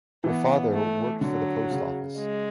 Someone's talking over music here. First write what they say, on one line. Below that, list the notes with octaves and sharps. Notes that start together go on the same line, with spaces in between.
Her father worked for the post office.
E3 B3
A3
D3 F#3
C#3
G#3